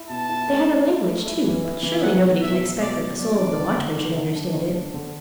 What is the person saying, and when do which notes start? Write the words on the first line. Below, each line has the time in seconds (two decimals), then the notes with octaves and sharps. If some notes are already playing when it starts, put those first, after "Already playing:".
They had a language too; but surely nobody can expect that the soul of the watchman should understand it.
Already playing: E4
0.09 B2 A5
0.29 E4
0.48 A3
0.67 A3
0.87 E4
1.05 A3
1.26 E4
1.44 E3
1.64 E4
1.83 E3
2.02 F#3 F#5
2.22 B2
2.41 B2 E5
2.61 F#3
2.80 B2 D5
2.99 F#3
3.19 B2 D5
3.38 D4
3.57 D3
3.77 D3
3.96 D3
4.16 D3
4.35 D4
4.55 D3
4.74 D4
4.94 D3